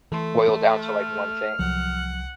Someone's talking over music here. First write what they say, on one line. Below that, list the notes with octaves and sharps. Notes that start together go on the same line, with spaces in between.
boil down to, like, one thing.
E3 A3 A4 C6
F6
C2 F3 F#3 F#5